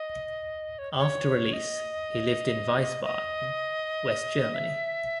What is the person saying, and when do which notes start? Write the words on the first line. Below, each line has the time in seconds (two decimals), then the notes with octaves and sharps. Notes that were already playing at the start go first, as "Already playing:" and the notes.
After release he lived in Wiesbaden, West Germany.
Already playing: D#5
0.79 C#5
0.99 C#5
1.53 D#5
3.04 D#5
4.54 E5